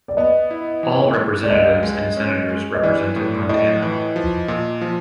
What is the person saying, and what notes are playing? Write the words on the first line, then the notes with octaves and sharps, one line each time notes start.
All representatives and senators represented Montana.
D5
B3 D#5
E4
E3
G#3
D5
C#2 D#5
G#3
C#4
G#3
D#5
E3 D5
A2
D5
A2 D#5
E3
F3
A#2
F3